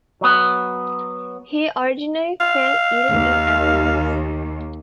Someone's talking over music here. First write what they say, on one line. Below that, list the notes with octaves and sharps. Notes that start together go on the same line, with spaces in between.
He originally fell ill in Athens.
F#3 B3
F5
D#2